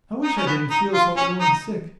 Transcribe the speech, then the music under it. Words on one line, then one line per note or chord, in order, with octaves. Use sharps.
I wish I didn't feel so ill and sick!
D#4
C#4
B3
D#4
F4
C#4
D#4